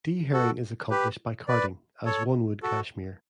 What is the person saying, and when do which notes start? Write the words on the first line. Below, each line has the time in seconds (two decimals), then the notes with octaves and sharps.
Dehairing is accomplished by carding as one would cashmere.
0.33 F#4 A4
0.90 G4 B4
1.48 B4 D5
2.05 A4 C#5
2.63 F#4 A4